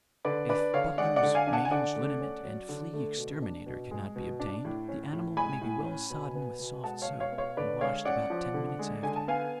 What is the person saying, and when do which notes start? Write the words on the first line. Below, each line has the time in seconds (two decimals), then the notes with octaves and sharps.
If 'Butler's Mange Liniment and Flea Exterminator' cannot be obtained, the animal may be well sodden with soft soap and washed about ten minutes after.
0.25 D3 B4 D5
0.49 D4 B4 D5
0.74 D3 C#5 F5
0.98 G#3 D5 F#5
1.16 D5 F#5
1.23 D3
1.35 F5 G#5
1.47 D4
1.53 F#5 A5
1.65 G#5
1.71 D3 D5 F#5
1.96 A3
2.21 C#4
2.45 F#3
2.69 D3
2.93 A3
3.17 B2
3.42 D4
3.66 B2
3.91 G#3
4.16 B2
4.40 D4
4.65 A2
4.88 C#4
5.13 A2
5.37 G#3 G#5 B5
5.61 A2
5.86 C#4
6.10 B2
6.35 B3
6.59 B2
6.84 G#3 F#5 A5
7.02 C#5 F5
7.08 B2
7.20 C#5 F5
7.32 B3
7.38 C#5 F5
7.57 D3 B4 D5
7.81 G#3 C#5 F5
8.05 C#4 D5 F#5
8.30 F3
8.54 D3
8.79 G#3
9.03 D3 G#5
9.16 A5
9.28 B3 F5 G#5